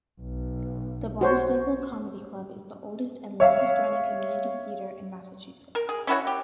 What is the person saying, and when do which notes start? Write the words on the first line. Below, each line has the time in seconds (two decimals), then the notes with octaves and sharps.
The Barnstable Comedy Club is the oldest and longest-running community theater in Massachusetts.
0.21 B1
1.21 F#4 C5 C#5
3.40 C#5 E5 F5
5.75 A#4
5.89 G#4
6.07 C#4 E4 F#4 C#5
6.27 G4